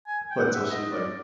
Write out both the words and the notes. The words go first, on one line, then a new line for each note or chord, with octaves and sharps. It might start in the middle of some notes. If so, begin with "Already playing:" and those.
until she, like
G#5
G5
F#5
E5
D#5
D5